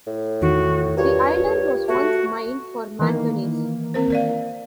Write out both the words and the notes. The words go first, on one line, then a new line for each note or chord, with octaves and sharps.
The island was once mined for manganese.
A2
E2 D#3 F#4
G2 F4 G4 A#4 C#5
A3 F#4
D#3 E3 A#3
C4 A#4 C5
A#4 D5 F5